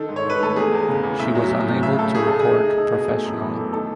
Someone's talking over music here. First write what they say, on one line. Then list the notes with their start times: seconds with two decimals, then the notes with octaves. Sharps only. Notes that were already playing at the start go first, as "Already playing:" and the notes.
She was unable to record professionally.
Already playing: D#3 A4
0.09 G#2
0.16 C#5
0.24 D#3
0.30 B4
0.41 A3 A4
0.56 E2 G#4
0.72 E2
0.88 C#3
1.03 E2
1.19 A2 E5
1.35 F#3
1.51 F#3
1.67 A2
1.83 C#3 E5
1.99 A3 A4
2.15 A3 G#4
2.27 A3 A4
2.40 G#4
2.46 D#4
2.62 D#4
2.78 D#4 A4
2.94 B2
3.10 A3
3.25 F#2
3.41 E3
3.57 A3
3.73 D#3 A4